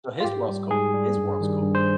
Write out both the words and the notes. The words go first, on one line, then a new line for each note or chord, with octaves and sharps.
So his world's cool. His world's cool.
F4
G#2 G4
G3
G#2 G#4
G3
G2
D#3 G3
G2
C5